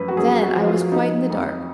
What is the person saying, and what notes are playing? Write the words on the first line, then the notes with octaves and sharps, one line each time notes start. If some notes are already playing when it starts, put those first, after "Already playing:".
Then I was quite in the dark.
Already playing: F#2 F3 B4
F#4
F#2 G#4
F#4
F3
F4
F3 D#4
F2